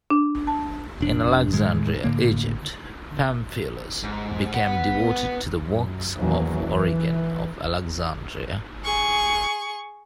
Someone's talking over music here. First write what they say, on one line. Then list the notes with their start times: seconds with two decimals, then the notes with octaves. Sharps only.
In Alexandria, Egypt, Pamphilus became devoted to the works of Origen of Alexandria.
0.10 D4
0.47 A5
1.01 F1 D4
1.52 A2 D#3 G#3
2.04 A2 D3 A#3
4.03 G#2
4.54 B4 F#5
5.68 F#2
6.16 A#1 E2 D#3 F#3 A#3 C#4
6.59 E3
8.85 G#4 C#6